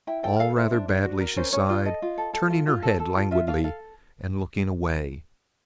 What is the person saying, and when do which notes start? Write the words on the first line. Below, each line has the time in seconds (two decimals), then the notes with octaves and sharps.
"All rather badly," she sighed, turning her head languidly and looking away.
0.07 E4 G5
0.23 A4 G5
0.39 A4 F5
0.56 E4 C5
0.72 D4
0.88 D4
1.04 F#4
1.21 A#4
1.36 C#4 C5
1.53 C#4 C#5
1.69 F4 D5
1.85 A4 D#5
2.02 F4
2.18 A4
2.34 A4
2.50 F4
2.67 F4
2.83 A4
3.00 A4
3.16 F4
3.31 F4 E5
3.47 A4 F5
3.64 A4 F5